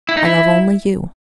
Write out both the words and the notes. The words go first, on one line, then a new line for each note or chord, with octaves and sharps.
I love only you.
E4
D#4
E4